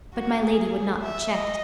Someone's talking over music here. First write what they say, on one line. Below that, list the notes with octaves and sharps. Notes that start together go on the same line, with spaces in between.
But my Lady would not be checked.
F#4
G#4
E5
D#5